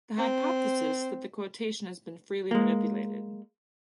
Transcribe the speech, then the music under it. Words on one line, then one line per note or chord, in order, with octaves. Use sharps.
The hypothesis that the quotation has been freely manipulated.
C4
G#3 A#3